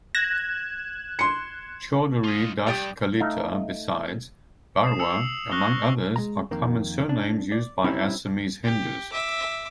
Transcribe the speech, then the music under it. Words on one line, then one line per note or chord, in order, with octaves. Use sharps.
Chaudhary, Das, Kalita besides, Barua, among others are common surnames used by Assamese Hindus.
F#6 G#6 A#6 E7
C6 C#7
F4 D#5
G2 G4 D5 D#6
A3 D#4 F5
D#6 C7 E7
E6 C#7 F7
C7
C#6 F6 F#6 A#6 F7 G7
G#3 A#5
F2 D#3 A#3
D4
D5
G3 C4 C#4 D#4 E4 G4
G4
E5 D6